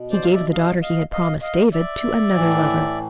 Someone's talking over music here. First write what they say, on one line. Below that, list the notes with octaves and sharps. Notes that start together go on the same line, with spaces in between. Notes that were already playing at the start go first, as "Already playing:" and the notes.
He gave the daughter he had promised David to another lover.
Already playing: B2
C5 D5
F5
D5 E5
D#5 F5
D#5 F5
D#5 F5
D#5 F5
D5 E5
E3
A2